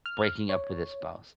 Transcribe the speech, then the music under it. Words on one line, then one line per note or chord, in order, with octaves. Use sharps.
breaking up with a spouse.
F6
C#5